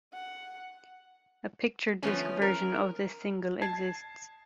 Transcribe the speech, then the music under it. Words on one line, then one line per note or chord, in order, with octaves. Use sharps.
A picture disc version of this single exists.
F#5
F3 A3 B3 C#4
A#4
A5 G#6 C7